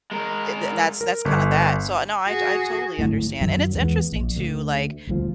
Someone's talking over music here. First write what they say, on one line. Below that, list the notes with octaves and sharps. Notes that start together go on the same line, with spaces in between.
Eh, th that's that's kinda that. So, no, I t I totally understand. And it's interesting too, like,
G#3 A#4
A#4
G1
F#4 G#4
D1 G#1 A2
F#2 D#3 F#3
E2 G#3 B3
A#1
D2
D#1 D2 F3